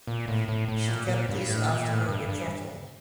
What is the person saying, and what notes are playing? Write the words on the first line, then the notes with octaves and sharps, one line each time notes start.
She kept this after her betrothal.
A#2
A2
A2
A2
A#2
A#2
G2
A2
A#2
A2
G2
G2